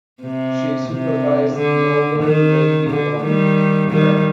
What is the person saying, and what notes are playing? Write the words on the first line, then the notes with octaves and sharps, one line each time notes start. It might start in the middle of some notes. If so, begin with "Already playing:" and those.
She supervised Noble Lady Wan there.
C3
C3
D3
D#3
D3
D#3 G3
D#3 G3